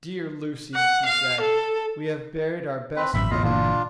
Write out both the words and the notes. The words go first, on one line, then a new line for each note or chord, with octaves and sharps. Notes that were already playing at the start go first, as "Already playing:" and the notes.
"Dear Lucy," he said, "we have buried our best friend."
F#5
F5
A4
C4 B4
A1 F#2 E5 B5
A1 E2 F4 D#5 F5
G1 A#2 E3 D4 F4